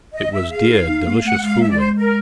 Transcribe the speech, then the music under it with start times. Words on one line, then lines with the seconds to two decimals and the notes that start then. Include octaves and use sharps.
It was dear, delicious fooling.
0.12 D#5
0.31 E5
0.49 G#4 F5
0.69 E4
0.81 E4
0.86 D#4
1.05 A#3
1.23 A3 F#5
1.41 G#3 F5
1.60 E5
1.69 D5
1.78 C5
1.97 A#4